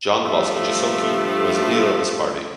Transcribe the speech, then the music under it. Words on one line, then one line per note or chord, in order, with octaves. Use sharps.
John Bosco Jasokie was the leader of this party.
G2 F3 A3